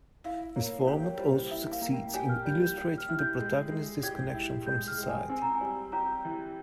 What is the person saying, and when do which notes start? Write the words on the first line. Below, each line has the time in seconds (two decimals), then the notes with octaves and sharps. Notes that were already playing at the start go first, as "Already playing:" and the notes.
This format also succeeds in illustrating the protagonist's disconnection from society.
0.24 E4 F5
0.56 A#3 C#5
0.87 G4 C5
1.03 C#5
1.19 G3 C5
1.35 C5
1.51 E4 E5
1.72 F5
1.82 A#3
1.93 G5
2.14 G4 G#5
2.29 F6
2.45 G3 G6
2.61 G6
2.78 G4
2.98 F6
3.08 E4 F6
3.19 G6
3.40 G#3 G6
3.71 G#3
4.03 G4 G#6
4.34 E4
4.66 G#3 G6
4.87 F6
4.98 G#3 G5
5.08 G#5
5.29 C4 G#5
5.42 A#5
5.54 G#5
5.61 G3
5.92 G4 A#5
6.25 E3